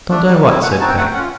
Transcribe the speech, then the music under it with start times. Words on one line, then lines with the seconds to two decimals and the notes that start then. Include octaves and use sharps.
'Don't I what?' said Peg.
0.11 A3 D4
0.28 G3
0.45 C4 E4
0.62 A3 F#5
0.71 G#5
0.80 C4 D#4 F#4 A5
0.89 G5
0.96 A3 F#5
1.05 G5
1.14 C#4 F#5
1.19 F4